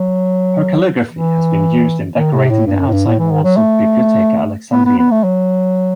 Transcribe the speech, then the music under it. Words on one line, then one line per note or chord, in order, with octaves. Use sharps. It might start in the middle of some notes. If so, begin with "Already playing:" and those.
Her calligraphy has been used in decorating the outside walls of Bibliotheca Alexandrina.
Already playing: F#3
E3
D#3
C3
A2
G2
F#2
A2
G2
A2
E3
D#3
F#3
A3
B3
B3
B3
A3
F#3